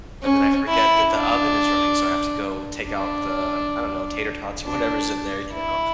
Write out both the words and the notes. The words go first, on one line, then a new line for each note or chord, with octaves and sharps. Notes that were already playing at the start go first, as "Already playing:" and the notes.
and then I forget that the oven is running, so, I have to go take out the, I don't know, tater tots or whatever's in there, you know?
C#4
E4
D4
D4
D4
E4